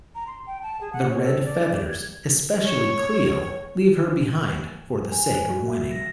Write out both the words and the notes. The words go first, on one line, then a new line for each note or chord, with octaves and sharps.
The Red Feathers, especially Cleo, leave her behind for the sake of winning.
A#5
C6
G5
A5
G#4
F#5
C#5
A4
D5
D5
G#6
C#5
G#5
F#6
F#4
E5
A#6